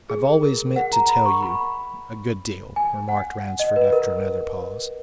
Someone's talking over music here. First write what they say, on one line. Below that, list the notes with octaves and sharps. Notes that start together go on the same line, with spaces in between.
"I've always meant to tell you--a good deal," remarked Ransford, after another pause.
G#4
A#4
F#5
A#5
B5
C#6
B5
G#5
F#5
D#5
B4
A#4